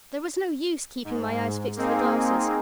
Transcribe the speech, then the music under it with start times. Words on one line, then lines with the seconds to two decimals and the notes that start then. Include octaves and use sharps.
There was no use keeping my eyes fixed to the glasses.
1.04 G#2
1.76 A#3 C4 D#4 G#4